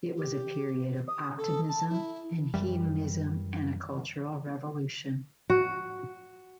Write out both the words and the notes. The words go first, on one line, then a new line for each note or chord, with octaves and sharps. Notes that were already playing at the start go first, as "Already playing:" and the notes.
It was a period of optimism and hedonism, and a cultural revolution.
G4
D#6
A4
A5
E4
F#2 E3 G3
F#4